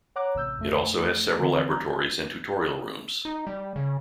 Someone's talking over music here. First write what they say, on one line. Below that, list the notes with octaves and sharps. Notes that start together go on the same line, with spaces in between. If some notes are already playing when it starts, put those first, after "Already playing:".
It also has several laboratories and tutorial rooms.
C#5 F#5 A#5 D6 F#6
A1 C3 E6 G6
F2 A3
D3 E3 C4
G3 A#5 G#6
D#4
G3
C#3